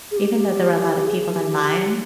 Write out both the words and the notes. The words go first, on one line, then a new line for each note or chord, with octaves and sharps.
even though there were a lot of people in line,
G#4
G4
G4
G#4
G4
G4